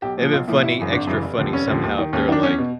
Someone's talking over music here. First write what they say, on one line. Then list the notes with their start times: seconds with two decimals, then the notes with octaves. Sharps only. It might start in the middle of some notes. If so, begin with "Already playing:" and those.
And then funny extra funny somehow if they're, like,
0.02 B1 G4
0.17 A#2 F3
0.33 B1 F4
0.48 A#2 F3 E4
0.62 G#1 E4
0.77 F#2 C#3 E3
0.92 G#1 D4
1.07 F#2 C#3 E3
1.23 F1
1.38 D#2 D3 F3
1.53 F1 C#4
1.68 D#2 D3 F3
1.83 D#2
1.98 D#3
2.13 D#2 C#4
2.28 D#3 D4
2.43 E2 C#4
2.58 B2